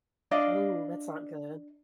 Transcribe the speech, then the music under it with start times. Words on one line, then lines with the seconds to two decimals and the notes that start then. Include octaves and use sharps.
Ooh, that's not good.
0.31 D4 D5 D#5 F5